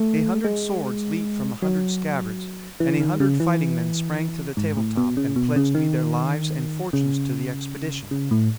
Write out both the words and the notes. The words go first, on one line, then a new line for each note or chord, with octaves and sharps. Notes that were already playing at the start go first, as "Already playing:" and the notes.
A hundred swords leaped from a hundred scabbards, and a hundred fighting-men sprang to the table-top and pledged me their lives and fortunes to the expedition.
Already playing: A3
G#3
F#3
E3
D#3
C#3
E3
G#2
A2
B2
C#3
B2
C#3
D#3
C#3
C#3
A2